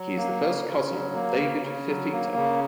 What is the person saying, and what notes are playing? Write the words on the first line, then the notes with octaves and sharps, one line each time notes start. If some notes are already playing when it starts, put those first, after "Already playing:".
He is the first cousin of David Fifita.
Already playing: F#3
A#3
C#3
C#3
F#3
A#3
C#3
C#3
F#3
A#3
C#3